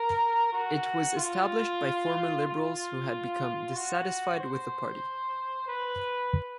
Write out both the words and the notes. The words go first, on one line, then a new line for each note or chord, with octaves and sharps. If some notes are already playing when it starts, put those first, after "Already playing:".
It was established by former Liberals who had become dissatisfied with the party.
Already playing: A#4
F#4
F4
F4
F#4
C5
B4